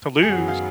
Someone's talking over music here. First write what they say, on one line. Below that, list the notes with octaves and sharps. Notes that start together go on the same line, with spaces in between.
to lose.
F#2 D#3 F#3 B3 G#4
F#4
G#4
F5